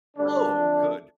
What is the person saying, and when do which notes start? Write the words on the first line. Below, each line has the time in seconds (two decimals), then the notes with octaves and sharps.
Oh, good.
0.17 D2 D3 G3 D4
0.55 F2 D3 A3